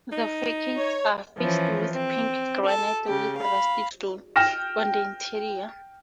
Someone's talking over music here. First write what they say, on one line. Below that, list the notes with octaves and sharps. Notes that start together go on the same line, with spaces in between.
The facades are faced with pink granite with rustic stone on the interior.
D#4
C#5
E3 F3 C#4
C4
A4
C#3 G4
F5 B5
G5 F6 A#6 E7